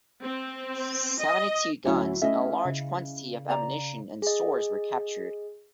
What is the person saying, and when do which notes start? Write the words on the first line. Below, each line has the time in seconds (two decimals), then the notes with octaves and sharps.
Seventy-two guns and a large quantity of ammunition and stores were captured.
0.23 C4
1.20 D#5
1.86 D2 F#3 C#4 E4 C#5
2.22 A3 C#4 E4 D#5 E5
2.65 C#3
3.49 D5 A#5
4.22 G#4 D#5